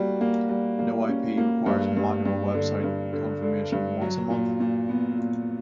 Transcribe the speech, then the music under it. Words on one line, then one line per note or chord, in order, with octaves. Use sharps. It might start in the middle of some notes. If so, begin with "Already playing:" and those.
No-ip requires manual web site confirmation once a month.
Already playing: G3 A#3 F#4
A#3
G3
A#3
C#4
A#3
G2
G2
G2
D3
G2
D3
D3
G2
F#3
A#2
A#2
B3
A#2